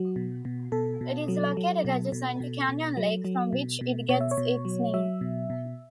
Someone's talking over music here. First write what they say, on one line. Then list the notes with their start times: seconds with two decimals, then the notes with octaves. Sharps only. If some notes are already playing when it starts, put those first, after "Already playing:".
It is located adjacent to Canyon Lake, from which it gets its name.
Already playing: F#3 F#4
0.16 B2
0.45 B2
0.72 B2 A4
1.01 B2
1.28 F#3
1.57 F#3
1.85 B2
2.12 B2
2.40 B2
2.69 B2
2.97 F#3
3.25 F#3
3.53 B2
3.81 B2
4.09 B2 C#5
4.21 E5
4.31 C#5
4.37 B2
4.65 F#3
4.94 F#3 E5
5.21 B2
5.50 B2